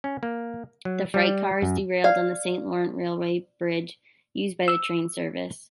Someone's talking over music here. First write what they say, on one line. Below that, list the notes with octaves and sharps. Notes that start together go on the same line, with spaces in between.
The freight cars derailed on the Saint-Laurent Railway Bridge used by the train service.
C#4
A#3
F#3
G3
F#2
D5 F5
E6